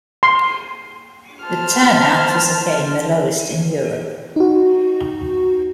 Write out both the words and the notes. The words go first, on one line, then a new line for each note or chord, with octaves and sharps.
The turnout was again the lowest in Europe.
C6
C5 A5 F6
D#4 F#4